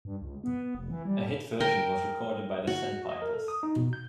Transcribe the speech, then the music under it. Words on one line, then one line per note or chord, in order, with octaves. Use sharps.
A hit version was recorded by The Sandpipers.
G2
C#2
B3
F1
E3
G3
A#4 G5
F#4
D#5
A#4
A4
D#6
D#4
B2
G6